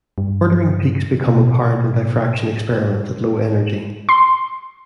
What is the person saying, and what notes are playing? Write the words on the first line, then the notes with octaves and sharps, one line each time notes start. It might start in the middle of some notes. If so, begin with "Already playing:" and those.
Ordering peaks become apparent in diffraction experiments at low energy.
G2
B2
C6